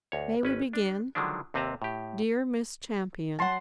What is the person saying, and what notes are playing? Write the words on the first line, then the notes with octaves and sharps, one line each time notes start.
May we begin?-- Dear Miss Champion ...
D2 C#5
G#1 C#4 B4
D4
D3 D#3 F3 F#3 G#3 D4
D#2 C3 C4 B4 A5 A#5
A2 G4
F#3 F#5 A5 C6